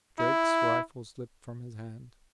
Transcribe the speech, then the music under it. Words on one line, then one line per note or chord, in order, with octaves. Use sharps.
Drake's rifle slipped from his hand.
E4